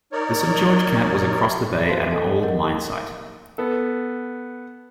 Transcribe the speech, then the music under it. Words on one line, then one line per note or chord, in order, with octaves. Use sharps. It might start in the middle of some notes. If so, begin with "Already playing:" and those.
The Saint George camp was across the bay at an old mine site..
D#4 A#4 C#5 D5
F#4 B4 C5 F5 A5 C6
A4 D#5 F5 G#5 A5
A#4 C#5 D#5 F#5
B3 A4